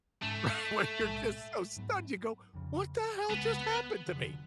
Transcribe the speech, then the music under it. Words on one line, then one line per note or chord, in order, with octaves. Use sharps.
Right, where you're just so stunned, you go, "What the hell just happened to me?"
G#2 G#3 A3 C#4
B1 A2 G#3
G#2 F#3 B3
F1 F2 C#3
C#2 C#3 G#3 B3
F1 F2 D3 F#3